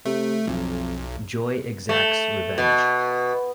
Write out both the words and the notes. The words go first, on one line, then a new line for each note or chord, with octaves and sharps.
Joy exacts revenge.
C3 A3
B1 F2
A3
B2